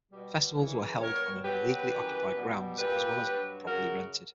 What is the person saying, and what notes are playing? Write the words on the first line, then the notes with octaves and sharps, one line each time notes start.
Festivals were held on an illegally occupied grounds as well as properly rented.
B2 G3
F#2 C#3 E3
B2 G3 A#4 C#5
B2 F#3 G4 B4
F#2 E3 G3
B2 G3
A#2 G3 G4 B4
G2 F#3
F#2 C#3 F#3 F#4 A#4